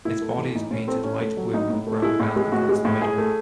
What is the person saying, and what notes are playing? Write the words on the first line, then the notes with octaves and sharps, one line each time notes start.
Its body is painted light blue with a brown band across the middle.
A2 E4
A3
E3
A2 D#4
A2 C#4
A3 C4
A2 C#4
A3
F#3
A2 D#4
A2
A3
G#3 E4
A2
G#3
A2 F#4
G#3
A2
A2 G#4
A3